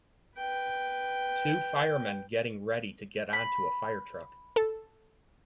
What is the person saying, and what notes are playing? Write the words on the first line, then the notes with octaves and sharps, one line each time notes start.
Two firemen getting ready to get onto a firetruck.
B4 G5
B5
A4